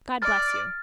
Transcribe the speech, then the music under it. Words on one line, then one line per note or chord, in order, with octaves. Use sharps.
God bless you!'
D5 F6 A6